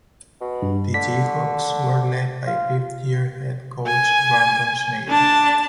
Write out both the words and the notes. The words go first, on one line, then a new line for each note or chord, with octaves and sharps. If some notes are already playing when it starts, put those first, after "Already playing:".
The Jayhawks were led by fifth year head coach Brandon Schneider.
B2
G2
D3 B6
F4
G#5
D4 A5